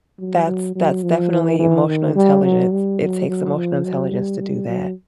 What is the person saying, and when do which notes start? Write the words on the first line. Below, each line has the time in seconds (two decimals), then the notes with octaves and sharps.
That's that's definitely emotional intelligence. It takes emotional intelligence to do that.
0.19 F#3
0.47 F#3
0.75 F#3
1.03 F3
1.31 E3
1.59 E3
1.87 D#3
2.15 G3
2.44 F#3
2.72 G3
3.00 F#3
3.28 F#3
3.56 F3
3.84 F#3
4.12 G3
4.40 G3
4.68 F#3